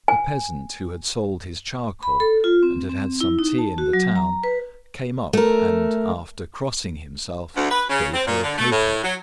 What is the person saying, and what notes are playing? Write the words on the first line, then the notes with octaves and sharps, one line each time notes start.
A peasant, who had sold his charcoal, and had had some tea in the town, came up, and, after crossing himself, gave her a copeck.
G#5
B5
A4
F4
C4
C4
E4
D#4
A5
F#4
F#3
A#5
B4
A3 A#4
D2
B4
C#3
C4
A#2
D3
A3
A2
F#3